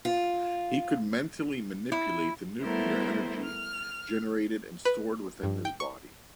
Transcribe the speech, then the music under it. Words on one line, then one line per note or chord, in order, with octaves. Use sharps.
He could mentally manipulate the nuclear energy generated and stored within his body.
F4
E4
G3 A3 B3 E4 A#4 C5
F6
B4
G2
G5
C#6